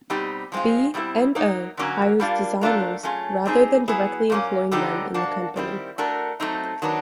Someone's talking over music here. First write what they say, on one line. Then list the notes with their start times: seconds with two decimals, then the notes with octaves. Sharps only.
B and O hires designers rather than directly employing them in the company.
0.10 B2 G3 C4 D#4 G4
0.52 F3 G#3 C4 F4
0.94 B2 G3 C4 E4
1.35 F#3 A#3 D#4
1.77 D3 F#3 A#3 C#4
2.20 G3 A#3 D4 F4
2.61 F#3 A3 D4 F4 A#4
3.03 F#3 A3 C#4 F4 G#4
3.45 G3 C4 D#4 G#4
3.88 F#3 B3 E4 G#4
4.30 A#2 F#3 A#3 C#4
4.71 D3 F#3 B3 D#4 G4
5.14 F3 A#3 D4 F#4
5.56 D#3 G3 C4 E4
5.98 A3 D4 F#4 A#4
6.40 F#3 A3 C4 D#4
6.82 D#3 F#3 B3 D4